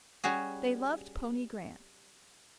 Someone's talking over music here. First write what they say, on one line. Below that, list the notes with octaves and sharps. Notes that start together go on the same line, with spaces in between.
They loved pony Grant.
G3 C#4 F#4 G#4